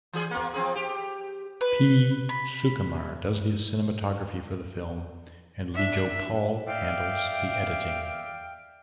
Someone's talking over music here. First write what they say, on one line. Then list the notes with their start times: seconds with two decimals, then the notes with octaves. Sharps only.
P Sukumar does the cinematography for the film and Lijo Paul handles the editing.
0.13 E3 G#4
0.31 A#3 B3
0.53 F3 C4 G#4
0.75 G4
1.61 B4
2.29 B5
5.74 D4 E5
6.66 D5 E5 F5 G5